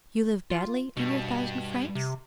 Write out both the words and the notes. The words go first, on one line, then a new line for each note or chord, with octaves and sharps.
"You live badly on your thousand francs?"
F4
G2 B2 G3
C3